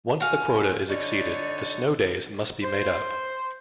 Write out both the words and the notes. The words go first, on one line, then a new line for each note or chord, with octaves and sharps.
Once the quota is exceeded, the snow days must be made up.
F#4 F5 G#5
D3 D#4 C#5 D5
C5